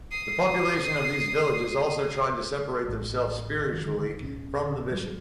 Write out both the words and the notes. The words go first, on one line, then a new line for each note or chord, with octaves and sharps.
The population of these villages also tried to separate themselves spiritually from the bishop.
D#6 C7
A1 A2
F#2 D3 D#3
D1 B2 B3 C#4
G#1 G2 F#3 G3